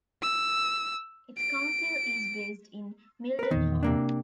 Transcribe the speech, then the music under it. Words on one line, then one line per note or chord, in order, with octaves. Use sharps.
Its council is based in Mildenhall.
E6
D7
A#4 B4
E2 A#2 D#3 B3
C3 A#3 D4